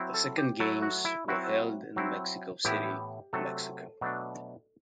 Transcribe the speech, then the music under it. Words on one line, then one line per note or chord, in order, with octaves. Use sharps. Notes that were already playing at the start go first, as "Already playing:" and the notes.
The second games were held in Mexico City, Mexico.
Already playing: F#3 C4 E4
A4
G4
F#3 A3 E4 A4
F#4
E4
F#3 C4 E4 F#4
F#3 C4 E4
A2 E3 B3 E4 G4
C3 F#3 A3 A4
B2 F#3 A3 D4